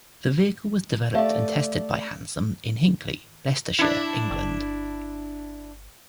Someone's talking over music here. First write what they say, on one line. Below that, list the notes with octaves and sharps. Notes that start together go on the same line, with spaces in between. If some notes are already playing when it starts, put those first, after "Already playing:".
The vehicle was developed and tested by Hansom in Hinckley, Leicestershire, England.
A3 G4 D5 E5 F5
D4 E4
G1